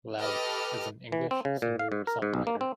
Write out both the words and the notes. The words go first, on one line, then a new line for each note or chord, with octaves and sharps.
Loud, is an English singer-songwriter.
G4 A4 B4 D#5 F6
E3
C4
C#3
A#2
F5
G#2
A#4
G#2
B1
A#3
C4